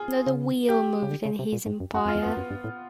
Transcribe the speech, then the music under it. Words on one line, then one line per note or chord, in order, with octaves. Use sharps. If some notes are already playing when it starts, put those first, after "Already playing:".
Not a wheel moved in his empire.
Already playing: F4 G#4
C#3
G4
C#3
D3
C#3
C3
A#2
G#2
F#2
F#2 F#4
F2
F4
E2
F2 B3
F#2
G2
A2